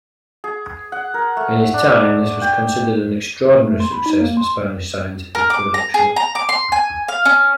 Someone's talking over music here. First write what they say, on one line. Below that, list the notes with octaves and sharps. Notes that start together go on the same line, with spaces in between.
In his time, this was considered an extraordinary success for Spanish scientific production.
G#4
F#5
A#4
A3
D4
G5
A3
C6
B5
D#4
A#3
C6
A#4
D6
A#5
G#4
A#5
D6
C6
G#5
F5
C#4